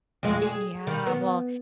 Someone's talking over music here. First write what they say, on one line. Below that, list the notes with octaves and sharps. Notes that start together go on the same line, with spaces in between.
Yeah. Well,
F2 G#3
G#4
D#3
B3